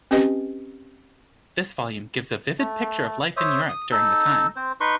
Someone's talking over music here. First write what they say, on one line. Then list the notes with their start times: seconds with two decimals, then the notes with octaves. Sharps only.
This volume gives a vivid picture of life in Europe during the time.
0.11 C4 C#4 G4 B4 D#5
2.59 A3
3.37 C5 C#5 E5 D#6
3.69 D#6
3.91 D#4 A4
4.56 C4 C5
4.80 D#4 B4 C6 C#6